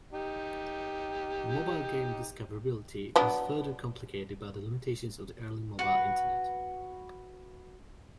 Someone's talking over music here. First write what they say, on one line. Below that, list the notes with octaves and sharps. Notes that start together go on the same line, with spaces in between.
Mobile game discoverability was further complicated by the limitations of the early mobile internet.
D#4 G4
F#3 B3 D4
F#4 B4